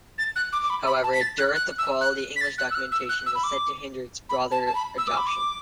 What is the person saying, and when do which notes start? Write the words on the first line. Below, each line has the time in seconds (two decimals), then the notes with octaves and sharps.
However, a dearth of quality English documentation was said to hinder its broader adoption.
0.18 A6
0.36 F#6
0.53 D6
0.63 D6
0.70 B5
0.87 B5
1.04 A5
1.13 B6
1.21 A6
1.38 F#6
1.55 F#6
1.78 E6
2.01 F#6
2.36 B6
2.41 A6
2.58 F#6
2.71 E6
2.75 F#6
2.92 E6
3.09 F#6
3.26 E6
3.35 B5
3.44 D6
4.29 B5
4.52 A5
4.66 A5
4.75 B5
4.98 E6
5.07 D6
5.17 B5
5.27 D6